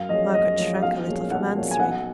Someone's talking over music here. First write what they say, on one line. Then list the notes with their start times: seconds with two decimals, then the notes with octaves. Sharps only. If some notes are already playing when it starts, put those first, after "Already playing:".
Margaret shrank a little from answering.
Already playing: F#2 F5
0.09 F3 G#3 C#4 D#5
0.34 F#2 D#5
0.58 F3 G#3 C#4
0.82 B1 F5
1.06 A#2 F3 G#3 C#4
1.31 B1 F#5
1.55 A#2 F3 G#3 C#4
1.71 G#5
1.79 B1 F#5